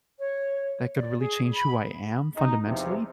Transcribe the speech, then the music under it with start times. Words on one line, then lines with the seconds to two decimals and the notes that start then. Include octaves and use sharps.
that could really change who I am fundamentally.
0.18 C#5
0.97 D5
1.19 G#4
1.51 B5
2.37 D#4
2.66 E2 C3 F3